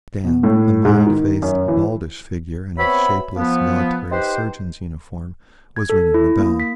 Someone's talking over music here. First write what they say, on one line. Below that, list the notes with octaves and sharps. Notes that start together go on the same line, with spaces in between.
Dan, a mild-faced, baldish figure in a shapeless military surgeon's uniform, was ringing the bell.
B2
A2
G#2
D#3
F#2
E3
B3 C4 F#4 C#5 E5 B5
F3 B3
D#4 G4 B4 C5
G#6
A4
E4
A#3
B6